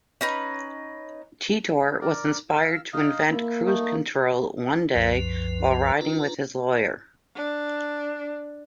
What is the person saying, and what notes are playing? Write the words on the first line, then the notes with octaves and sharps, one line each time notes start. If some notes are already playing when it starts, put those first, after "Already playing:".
Teetor was inspired to invent cruise control one day while riding with his lawyer.
C#4 D#4 B4
A#4 D5
F5 E6
D#4 D#5 F5
A#3 E4
A3 D#4
C2 F#2 F3 B4
D4 F4 B4 A#5
D4